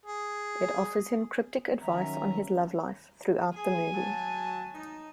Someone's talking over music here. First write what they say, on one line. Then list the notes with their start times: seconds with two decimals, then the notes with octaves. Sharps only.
It offers him cryptic advice on his love life throughout the movie.
0.05 G#4
1.82 D#3 F#3 C#4 E5 A#5
3.56 G#4 G#5
3.94 F#3 A5
4.75 D#4